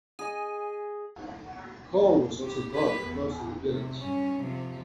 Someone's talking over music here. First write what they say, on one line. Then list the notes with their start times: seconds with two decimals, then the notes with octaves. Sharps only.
Coal was also dug close to the village.
0.19 G#4 D#5 G#5
2.44 G4
2.74 G4 B4
3.04 E2
3.70 C3
4.01 G2 C#4
4.41 C3 F3